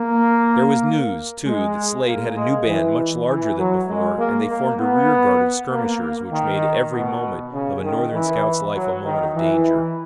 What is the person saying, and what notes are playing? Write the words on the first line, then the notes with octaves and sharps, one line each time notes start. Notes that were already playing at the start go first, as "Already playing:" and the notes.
There was news, too, that Slade had a new band much larger than before, and they formed a rear guard of skirmishers which made every moment of a Northern scout's life a moment of danger.
Already playing: A#3
G#3
A#3
G#3
E3
E3
F#3
G#3
A#3
A#3
B3
A#3
D#3
B2
C#3
D#3
E3
F#3
D#3
E3